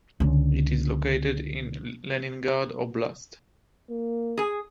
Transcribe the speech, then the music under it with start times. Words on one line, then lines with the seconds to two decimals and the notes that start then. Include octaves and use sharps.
It is located in Leningrad Oblast.
0.20 C#2 D3
3.90 A#3
4.37 G#4 G#5